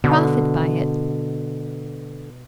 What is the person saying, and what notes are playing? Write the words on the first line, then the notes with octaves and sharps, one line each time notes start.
Profit by it.
B2 D3